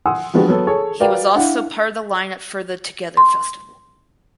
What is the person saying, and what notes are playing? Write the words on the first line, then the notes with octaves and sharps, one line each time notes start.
He was also part of the lineup for the Together Festival.
F#5 G#5 C6 D#6 E6
F3 G#3 B3 D4 F#4 G4
F#3 B3 A4
G#4 A4 C#5
F#4 A#4 B4 D5 F5 G5
D4 E4 F5 F#5
C6